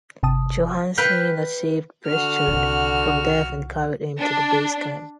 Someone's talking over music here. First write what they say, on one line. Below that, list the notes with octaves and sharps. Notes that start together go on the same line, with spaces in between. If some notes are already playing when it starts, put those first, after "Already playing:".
Johansen had saved Prestrud from death and carried him to the base camp.
G1 C3 A5 D#6
B4 F5 G5
D3 F#4 F6
C2 D#3
D4